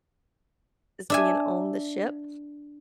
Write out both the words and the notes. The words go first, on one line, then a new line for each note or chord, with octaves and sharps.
is being on the ship
D4 E5 G#5